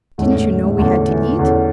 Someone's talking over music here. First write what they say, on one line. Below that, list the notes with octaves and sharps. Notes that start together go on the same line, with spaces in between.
Didn't you know we had to eat?
E2 G#2 D3 A3 C#4
A2
A2
E2 A2 D3 A3 C#4
E3
E2 D3 A3 C#4